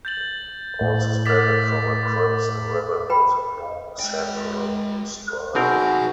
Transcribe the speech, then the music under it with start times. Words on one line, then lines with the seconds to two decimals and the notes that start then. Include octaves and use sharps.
All suspended from a crimson ribbon with a blue central stripe.
0.05 G6 A6 F#7
0.81 A2
1.26 D6 A6 B6
3.10 B4 G5 B5
4.00 G#3 G5
5.55 B2 C4 D#4 F#4 G#4 A#4 B4